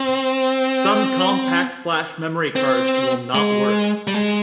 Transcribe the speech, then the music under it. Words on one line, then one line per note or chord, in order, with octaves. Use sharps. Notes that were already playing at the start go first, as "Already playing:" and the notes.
Some Compact Flash memory cards will not work.
Already playing: C4
C4
G#3
G3
G#3